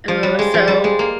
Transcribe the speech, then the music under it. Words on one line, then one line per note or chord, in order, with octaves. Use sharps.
Ooh, so,
F3
G3
G#3
F3
G3
G#3
A#3